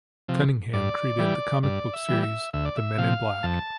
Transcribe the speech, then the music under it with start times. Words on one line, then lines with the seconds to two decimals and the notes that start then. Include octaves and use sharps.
Cunningham created the comic book series "The Men in Black".
0.28 C3 F3
0.73 G2 D5
1.18 E3 G3
1.63 G2 D5
1.93 E5
2.08 E3 G3
2.23 E5
2.53 D2 E5
2.65 D5
2.77 E5
2.98 C3 F3 F5
3.43 F2 A5